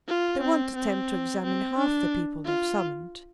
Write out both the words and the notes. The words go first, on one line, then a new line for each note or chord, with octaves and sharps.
They won't attempt to examine half the people they have summoned.
F4
C4
C4
C4
D4
F4